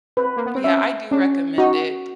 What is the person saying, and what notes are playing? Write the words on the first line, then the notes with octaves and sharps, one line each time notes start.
Yeah, I do recommend it,
C4 B4
A#3
B3
C4
C#4 E5
C#4 D4
D#4 F#4